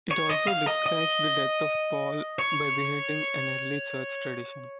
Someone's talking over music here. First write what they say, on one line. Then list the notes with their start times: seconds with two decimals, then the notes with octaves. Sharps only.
It also describes the death of Paul by beheading, an early church tradition.
0.11 C#5
0.29 D#5
0.48 F5
0.67 D#5
0.86 D#5
2.39 C#5